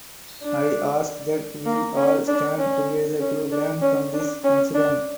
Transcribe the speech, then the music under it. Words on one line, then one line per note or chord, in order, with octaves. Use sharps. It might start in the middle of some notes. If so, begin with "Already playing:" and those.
I ask that we all stand together to learn from this incident.
D4
A#3
C#4
D4
C#4
C#4
D4
C#4
D4
C#4
D4